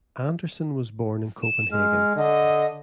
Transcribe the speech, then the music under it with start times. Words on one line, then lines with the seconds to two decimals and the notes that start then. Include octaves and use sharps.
Andersen was born in Copenhagen.
1.43 E7
1.72 G#3 F6
2.16 D3 D#5